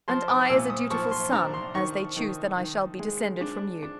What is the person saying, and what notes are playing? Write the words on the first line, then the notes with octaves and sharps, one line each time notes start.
"And I as a dutiful son, as they choose that I shall be descended from you."
F3 C6
D6
A#2 E6
D#6
F3 C#6
C6
D4 A#5
C6
D#3 C#6
D#3
D#3
G#3
D4
D4